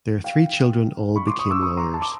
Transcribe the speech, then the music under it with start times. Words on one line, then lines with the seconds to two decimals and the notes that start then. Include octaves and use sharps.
Their three children all became lawyers.
0.24 F5 G5
1.16 B5 C#6
1.27 C6 D6
1.39 C#6 D#6
1.50 D6 E6
1.63 C#6 D#6
1.77 A#5 C6
1.93 A5 B5
2.02 D6